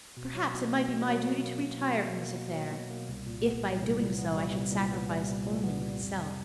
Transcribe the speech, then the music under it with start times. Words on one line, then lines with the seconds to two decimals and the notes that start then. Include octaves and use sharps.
Perhaps it might be my duty to retire from this affair, if by doing so I should sacrifice only myself.
0.17 B2
0.35 F#3
0.52 B2
0.71 A#3
0.90 B2
1.08 F#3
1.27 B2
1.44 A#3
1.62 B2
1.81 F#3
1.99 B2
2.17 A#3
2.36 B2
2.54 F#3
2.73 B2
2.90 A#3
3.09 C2
3.26 A#2
3.46 B3
3.64 G3
3.82 C2
3.99 A#2
4.19 B3
4.36 G3
4.54 C2
4.72 A#2
4.91 B3
5.09 G3
5.28 C2
5.46 A#2
5.64 B3
5.82 G3
6.01 F2
6.18 C3